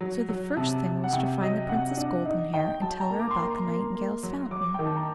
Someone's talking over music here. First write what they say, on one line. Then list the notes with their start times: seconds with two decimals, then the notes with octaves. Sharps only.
So the first thing was to find the Princess Goldenhair and tell her about the nightingales' fountain.
0.01 F#3
0.29 F#3
0.57 C3 A5
0.85 C3
1.04 F#5
1.13 C3 G5
1.41 F#3 D#5
1.69 C3 F#5
1.97 D4
2.26 D#4
2.54 D#4 G5
2.82 F#3 A5
3.00 A#5
3.10 A#3
3.20 D6
3.31 C6
3.39 A#3 A#5
3.54 C6
3.67 A#3
3.95 A#3
4.23 F#3
4.51 F#3 D6
4.74 D#3 G5
4.85 A5
4.97 A#5